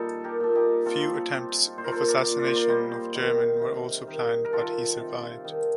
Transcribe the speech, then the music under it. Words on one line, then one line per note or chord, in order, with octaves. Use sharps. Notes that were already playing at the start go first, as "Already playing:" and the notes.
Few attempts of assassination of Jerman were also planned but he survived.
Already playing: A#2 G3 D#4 A4
G4 A#4
A#2 A4
D#4 G4
C4 F4 A4
C4
A#2 C5
A#4
A4 C5
A#4 D5
A#2
D5
C5
A#4 D5
G3 C5 D#5
D#3
C3
D#3
A#4
D#3 F4 A4
C3
D#3